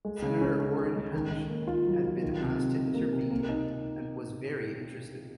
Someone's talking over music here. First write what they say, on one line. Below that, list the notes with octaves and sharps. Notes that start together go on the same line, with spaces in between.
Senator Orrin Hatch had been asked to intervene and was "very interested".
G#3
C#3
C#4
C#4
C#4
G#3
D#3
D#3
A#3
F4
F#3
F4
D#3
C3
C3
C3
A#3
C3
A#3
D#4